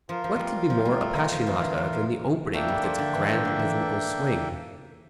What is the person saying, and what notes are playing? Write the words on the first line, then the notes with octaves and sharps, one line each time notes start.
What can be more "appassionata" than the opening with its "grand rhythmical swing"?
F3 F4 A#4 F5
F3
F3 G3
F3
G3
A3
F3
F3
E3
D3
E3
F3
A3 A#3 D4 A4 E5 G5
G3
F3
D3
E3
F3
D3
E3